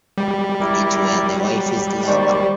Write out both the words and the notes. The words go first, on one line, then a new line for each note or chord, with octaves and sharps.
It were the wife's lover.
G3
E4 A#4 D5
F#3
D#2 C5 D5 C#6